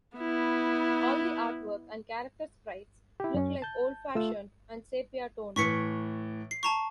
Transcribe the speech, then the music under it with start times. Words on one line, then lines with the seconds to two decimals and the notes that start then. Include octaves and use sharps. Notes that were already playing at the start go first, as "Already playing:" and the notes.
All the artwork and character sprites look like old fashioned and sepia-toned.
0.17 B3 E4
3.20 E4 G4
3.34 F#2 C#4
3.62 A5 G6
4.15 A3 F4 E6
5.56 A2 E3 C#6 B6 C#7
6.51 C7
6.63 A5 A#5 C#6